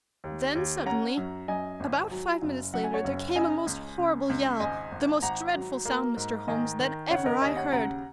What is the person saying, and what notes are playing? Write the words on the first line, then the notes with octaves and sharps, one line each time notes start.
Then suddenly, about five minutes later, there came a most horrible yell--the most dreadful sound, Mr. Holmes, that ever I heard.
D#2
D#2
C#4 F#5 A#5
F#2
F#2 D#5 G#5
G#1
F#3
F#1
F#2 F#5
G#5
C#5 F#5
F#1
C#3 D#5 G#5
C#2
C#3
C#2
G#1 D#5 G#5
G#1
G#1 F#5 A#5
F#3
A#3
G#2
D#3 D#5 G#5
D#3
C#3 C#5 F#5
A#4 D#5
D#2 D#5 G#5
C#5 F#5
C#3 F#5 A#5